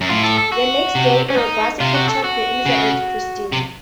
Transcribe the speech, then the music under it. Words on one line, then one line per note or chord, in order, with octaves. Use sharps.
The next day "Erebus" captured the "Elizabeth Christina".
F#2
A2 F4
A4
A4
F#4
C3
C#4
D#4
C3 F4
F#4
A4
F#4
C#3
C3